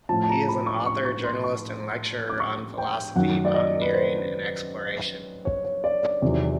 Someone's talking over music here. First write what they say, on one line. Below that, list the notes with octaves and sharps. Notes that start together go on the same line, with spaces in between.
He is an author, journalist and lecturer on philosophy, mountaineering and exploration.
A2 F3 A5
A5
A#5
B5
C#6
C#6
C#6
C6
C#6
D6
C#6
G5
F#2 D#3 F#3 F#5
D5
D#5
B4
C5
C#5
C#5
D5
D5
E2 C3 D#3 F#3